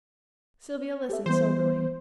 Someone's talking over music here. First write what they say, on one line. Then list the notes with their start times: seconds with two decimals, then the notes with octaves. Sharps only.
Sylvia listened soberly.
1.10 G4 A4 E5
1.26 E3 G3 B3 C5